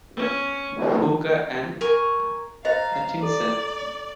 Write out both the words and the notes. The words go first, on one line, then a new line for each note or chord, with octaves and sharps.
Hooker and Hutchinson.
C#4
A#4 G#5 C#6
C5 D#5 F5 A#5
A4 D5